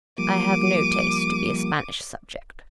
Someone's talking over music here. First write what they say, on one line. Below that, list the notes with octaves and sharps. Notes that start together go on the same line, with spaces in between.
"I have no taste to be a Spanish subject."
F3 G3 A#3 D6 D#7